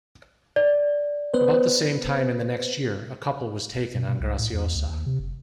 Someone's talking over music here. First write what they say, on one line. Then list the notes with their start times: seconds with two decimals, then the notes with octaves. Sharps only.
About the same time in the next year, a couple was taken on Graciosa.
0.56 D5
1.34 B3 B4 C5
3.95 B2
4.09 B2
4.20 C2
4.39 A2
4.53 E2
4.75 D2
4.89 D#2
5.06 C3
5.19 F#1